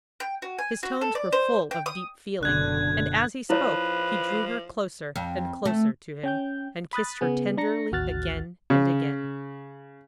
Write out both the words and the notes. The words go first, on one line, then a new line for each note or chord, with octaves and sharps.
His tones were full of deep feeling, and as he spoke he drew her closer and closer to him and kissed her tenderly again and again.
G5
F#4
G#5
F#4
A4
D5
C5
G5
D#6
F#1 B2 D3 F#6 G#6
F3 E4 B4 C#5
F2
A3
C#4 G5 G6
B5 D#6 F#6 A6
C#3 B3 G#4
D4 A#5 A#6 C#7
A1 D#2 F#4 F6 F#6 A6
C#3